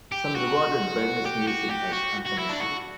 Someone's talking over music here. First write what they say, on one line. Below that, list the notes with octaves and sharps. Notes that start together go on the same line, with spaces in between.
Some regarded Berne's music as uncommercial.
G4
F#4
G4
F#4
G4
F#4
F#4
E4
D4
F#4